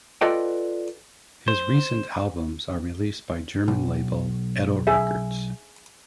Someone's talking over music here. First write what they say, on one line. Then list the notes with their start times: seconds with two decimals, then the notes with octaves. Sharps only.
His recent albums are released by German label, Edel Records.
0.21 F4 A4 B4 D5 D#5 G5
1.48 C5
3.68 B1
4.87 G#4 E5